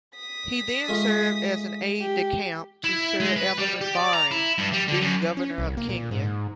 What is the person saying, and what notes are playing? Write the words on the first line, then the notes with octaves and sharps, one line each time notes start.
He then served as an "aide-de-camp" to Sir Evelyn Baring, then Governor of Kenya.
D#6 B6
G#3 A3 F4
G4
E4
G#3
B4
G3
G4
D5
A#5
E4
G2
G3
D3
F#2
C#4
C2
A#3
A#2
G#2